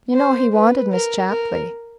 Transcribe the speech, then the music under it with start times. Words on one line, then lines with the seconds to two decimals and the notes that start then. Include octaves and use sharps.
You know he wanted Miss Chapley.
0.14 C5
0.53 B4
0.92 A#4
1.30 A#4